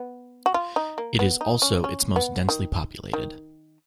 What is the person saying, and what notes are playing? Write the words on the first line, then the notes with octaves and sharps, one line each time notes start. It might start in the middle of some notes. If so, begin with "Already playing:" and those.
It is also its most densely populated.
Already playing: B3
F#4
F4
D#4
A#3
B3
D#4
C#4
C#4
B3
D#3
D#3